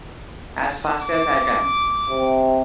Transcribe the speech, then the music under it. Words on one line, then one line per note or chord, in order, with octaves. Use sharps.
As fast as I can!
D6
C3